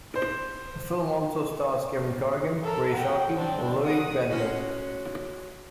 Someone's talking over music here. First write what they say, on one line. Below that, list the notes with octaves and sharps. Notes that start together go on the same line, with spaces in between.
The film also stars Kevin Corrigan, Ray Sharkey, and Lois Bendler.
C5
A4 A#4
F#5 G5
C4 D4
F#5 D#6
G#3 C#4 F#4